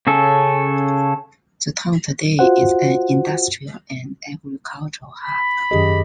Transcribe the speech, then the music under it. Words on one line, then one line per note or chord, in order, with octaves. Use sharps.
The town today is an industrial and agricultural hub.
C#3 C#4 A4
F4 F#4 C5 F#5
B5
F#2 D#3 G4 G#4 D#5